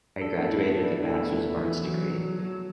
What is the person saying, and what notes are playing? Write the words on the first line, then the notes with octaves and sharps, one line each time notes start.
I graduated with a bachelors of arts degree.
D4 A4
A3
B3
E4
B3
A4
D4
D4 E4
B3
A3
B3 E4
E3
F#3
F#3
F#3